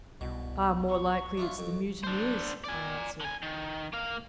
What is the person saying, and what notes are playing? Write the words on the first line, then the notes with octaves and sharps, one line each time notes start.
"Far more likely it's the mutineers," I answered.
C2 B2
C#6
D4 E4 F4
F2
D4 C5
D5 G#5
D3 G#5
D#3
A#3 F5